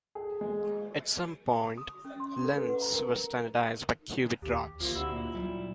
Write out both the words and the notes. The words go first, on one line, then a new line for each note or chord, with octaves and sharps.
At some point, lengths were standardized by cubit rods.
G#4
G#3
D#6
C#4
C6
A4
B4
F#5
A#5
A#4
D#2 G4
D2 F3 A#3 F4
C3 D4 E4 F#4 E6
A#2 A#3
F#3 G3 F4 E5